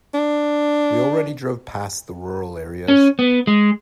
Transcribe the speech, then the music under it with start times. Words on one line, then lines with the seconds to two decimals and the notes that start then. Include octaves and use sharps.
We already drove past the rural areas.
0.14 D4
2.88 C#4
3.19 B3
3.47 G#3